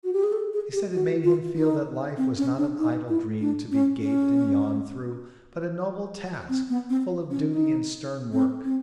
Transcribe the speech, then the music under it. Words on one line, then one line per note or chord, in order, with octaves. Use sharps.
He said it made him feel that life was not an idle dream to be gaped and yawned through, but a noble task, full of duty and stern work.
F#4
G4
G#4
A4
G#4
G4
F#4
F4
D#4
C4
C#4
D4
D#4
E4
D4
C#4
C#4
C4
B3
C4
C#4
D#4
C4
C4